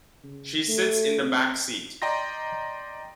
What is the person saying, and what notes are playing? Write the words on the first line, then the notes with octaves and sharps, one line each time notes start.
She sits in the backseat.
C#3
A3
C4
D5 D#5 G5 A#5 C6 A#6